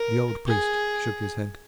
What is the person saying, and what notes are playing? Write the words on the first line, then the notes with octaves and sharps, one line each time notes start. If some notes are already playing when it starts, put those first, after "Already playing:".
The old priest shook his head.
Already playing: A#4
G#4